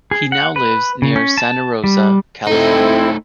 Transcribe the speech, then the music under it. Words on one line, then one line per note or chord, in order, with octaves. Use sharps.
He now lives near Santa Rosa, California.
G#4
F#5
B4
C#3
C#4
A5
G3
A3 C4 D#4 E4 A4